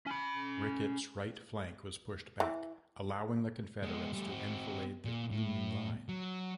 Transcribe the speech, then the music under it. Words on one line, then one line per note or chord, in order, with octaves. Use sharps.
Ricketts's right flank was pushed back, allowing the Confederates to enfilade the Union line.
C#4 B5
E3
G#3 B3
G3 A3
C4 F#4
A#2
A2
F#3